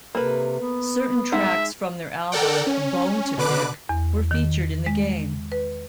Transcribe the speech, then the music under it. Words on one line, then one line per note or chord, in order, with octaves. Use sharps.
Certain tracks from their album, "Bone to Pick", were featured in the game.
C3 A#3 A4 B4
B3
G#3 D#4 E5 F#5
A4 A#4 D5 F#5 G5
C#4
B2 D3 B4 D6 F#6
E2
D#3
G#3
B4